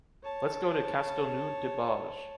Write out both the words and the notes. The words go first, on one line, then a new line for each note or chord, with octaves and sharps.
Let's go to Castellnou de Bages.
C#5 A5